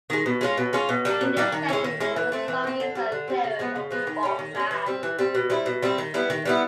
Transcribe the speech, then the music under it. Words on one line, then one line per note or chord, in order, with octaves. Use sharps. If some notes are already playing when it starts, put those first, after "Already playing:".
In this setting the result is a theorem of Bargmann.
D#3 G#3
B2
G#3 C#4 F4
B2
G#3 C#4 F4
B2
G3 A#3 D4
B2
G3 A#3 D4
D#3
G#3 C#4 E4
D#3
G#3 C#4 E4
E3
A3 C4
E3
A3
C4
D3
G3 C4
D3
G3 C4
C#3
F3 G#3 B3
C#3
F3 G#3 B3
D#3
G3 A#3 C#4
D#3
G3 A#3 C#4
E3
G3 C4
E3
G3 C4
B2
G3 C4 E4
B2
G3 C4 E4
D#3
G3 B3 E4
D#3
G3 B3 E4